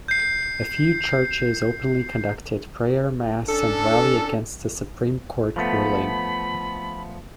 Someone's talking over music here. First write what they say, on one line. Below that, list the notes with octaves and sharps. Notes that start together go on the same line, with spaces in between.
A few churches openly conducted prayer mass and rally against the Supreme Court ruling.
G6 C7
C#4 D4 A4
F3 A3 B3 B5